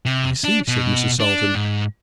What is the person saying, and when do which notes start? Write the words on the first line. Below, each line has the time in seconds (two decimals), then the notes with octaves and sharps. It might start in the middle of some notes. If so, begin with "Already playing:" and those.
"I see!" said Mrs. Salton.
0.05 C3
0.44 D4
0.68 B2
1.20 D4
1.55 G#2